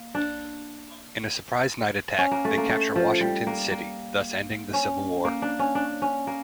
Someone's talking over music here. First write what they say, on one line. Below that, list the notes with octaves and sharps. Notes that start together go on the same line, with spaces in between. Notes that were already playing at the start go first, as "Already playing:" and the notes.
In a surprise night attack they capture Washington City, thus ending the Civil War.
Already playing: A#3
D4
C#4
A#3
A3
A#3
A3
F3
G3
A#3
A#3
C#4
A#3
D4
C#4
D4
C#4
A#3